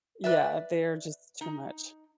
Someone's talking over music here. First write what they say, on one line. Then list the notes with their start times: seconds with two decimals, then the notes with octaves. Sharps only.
Yeah. They're just too much.
0.24 B4 D5 E5
1.41 D#4